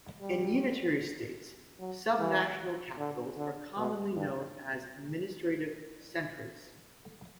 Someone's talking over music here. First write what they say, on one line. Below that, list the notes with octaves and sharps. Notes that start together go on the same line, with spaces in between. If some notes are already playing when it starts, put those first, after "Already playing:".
In unitary states, subnational capitals are commonly known as "administrative centres".
G3
F#3
E3
D3
D3
B2
G2